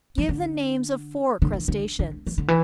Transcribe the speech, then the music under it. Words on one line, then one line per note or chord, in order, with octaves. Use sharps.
Give the names of four crustaceans.
E3
D3
D3
E3
D3
D3
E3
D3
E3